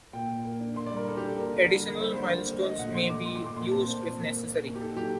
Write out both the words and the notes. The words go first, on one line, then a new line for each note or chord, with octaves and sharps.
Additional milestones may be used if necessary.
A#2 G5
A#2
A#3
D4
A#3 C6
D5
G3
A#4
D4 A4
G4
D4 A4
A#3 A#4
D3
G3
A#3
G3 C5
D3 C5
A#3
D3
A3 D#5
A#2 F#5
A3 C6
A3 D6
A3 C6
C6
A#2
D6
A#2 C6
C4 A5
A#3 C5
A#2
A#3
A#3
A#3
A#3
G4
D#4 A4
F#3 G4